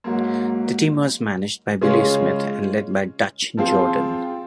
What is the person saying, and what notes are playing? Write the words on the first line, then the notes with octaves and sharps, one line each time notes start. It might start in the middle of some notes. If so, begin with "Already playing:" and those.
The team was managed by Billy Smith and led by Dutch Jordan.
G#2 F#3 A#3
C#3 G#3 C#4 F4 G#4
F3 C4 F4 G#4